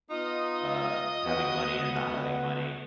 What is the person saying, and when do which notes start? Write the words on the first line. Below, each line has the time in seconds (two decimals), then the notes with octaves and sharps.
uh, having money and not having money.
0.10 B3 D#4 F4 D#5
1.24 B3 F#4